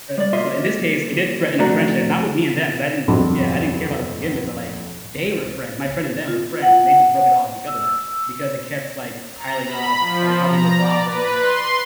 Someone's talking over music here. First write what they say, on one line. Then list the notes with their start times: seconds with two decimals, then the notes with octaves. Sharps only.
Uh, so, in this case, it did threaten a friendship- not with me and them 'cause I didn't yeah, I didn't care about them to begin with- but, like, they were friends- my friend and them were friends- and they just broke it off because of that because it kept, like, piling up, he started causing more problems,
0.18 G3 D5
0.33 B1 A#2 F4 D#5 E5 C6
1.59 F2 A3 D4 F#4 A#5
3.08 D#1 B1 F2 C4 D4 B5
6.28 F4
6.62 F#5
7.67 E6
9.37 A#5
9.66 B5
10.00 F3
10.44 A#5
10.76 D5
11.05 B4
11.40 C6